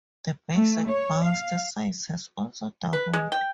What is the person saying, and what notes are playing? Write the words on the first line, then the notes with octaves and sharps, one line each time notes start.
The basic burst size has also doubled.
A3
C#5
F5
B4
G#3
G5